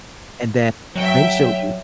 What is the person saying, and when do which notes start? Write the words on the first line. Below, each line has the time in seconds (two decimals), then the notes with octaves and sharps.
and then, eventually,
0.96 F#3 E5 G5